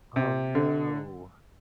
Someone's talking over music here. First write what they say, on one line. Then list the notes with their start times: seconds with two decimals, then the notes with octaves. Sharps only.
Oh, no.
0.16 C3
0.55 D3